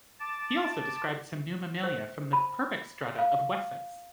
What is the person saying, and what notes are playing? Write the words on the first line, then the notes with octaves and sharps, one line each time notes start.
He also described some new mammalia from the Purbeck strata of Wessex.
A5 D6 A6
C5
B5
F5